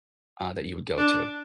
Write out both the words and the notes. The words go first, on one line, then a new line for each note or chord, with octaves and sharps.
uh, that you would go to?
D4